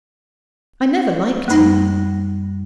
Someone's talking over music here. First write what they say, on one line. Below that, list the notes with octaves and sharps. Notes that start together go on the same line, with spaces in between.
'I never liked him.
F#2 G3 A#3 D#4 A#6